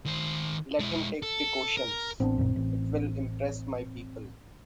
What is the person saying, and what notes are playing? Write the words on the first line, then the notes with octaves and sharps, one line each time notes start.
Let him take precautions; it will impress my people.
D#3 C5
G#3 E4
A4
A#4
A1 B3 C4 D4
A#1 F#2 A#2
A1